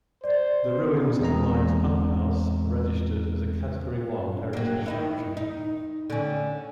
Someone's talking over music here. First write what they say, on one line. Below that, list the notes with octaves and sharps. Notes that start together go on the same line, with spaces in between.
The ruins of the mine's pumphouse are registered as a Category One heritage structure.
C5 D5
E2 G#3 C4 D#5 A#5
F#3 A#3
D#3 D#4 E4
D#4
D3 C#4